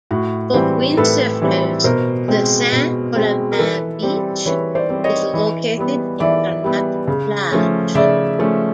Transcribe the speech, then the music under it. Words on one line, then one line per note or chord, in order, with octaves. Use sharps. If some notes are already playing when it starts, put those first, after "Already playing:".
For windsurfers, the Saint-Colomban beach is located in Carnac-Plage.
A2 F#4
E3 G3 C4
A2 A4 B4
E3 G3 C4
B2 A#4 C5
G#3 C4
B2
G#3 C4
A#4
E3 A4 B4
G3 C4
E3 B4 C#5
C5 D5
G3 C4
C#5 D#5
E3
G3 B3
E3 D5 E5
G3 B3
C#3
F3 A3 C#4
C#3 D5 E5
F3 A3 C#4